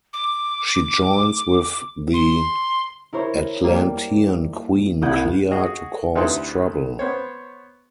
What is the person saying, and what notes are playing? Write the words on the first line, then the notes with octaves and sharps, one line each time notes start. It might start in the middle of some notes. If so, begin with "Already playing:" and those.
She joins with the Atlantean Queen Clea to cause trouble.
D6
C6
E4 A#4 C5 C#5
G3 A#3
C2 E4 F#5 D#6 G6 G#6
F#4 G#4 D#5 D#6
D2 C3 D#4 E4 B4 C6
B3 C5 C#5